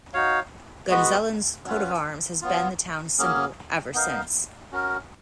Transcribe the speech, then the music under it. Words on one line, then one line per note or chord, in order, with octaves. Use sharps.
Gunzelin's coat of arms has been the town's symbol ever since.
D#4 F#4 C#5 F5
G#3 B3 F#4 B4
F#3 C#4 F4 B4
F#3 B3 F4
F#3 A#3 C#4 G#4
B3 D#4 A#4 F5
C#4 F#4 A#4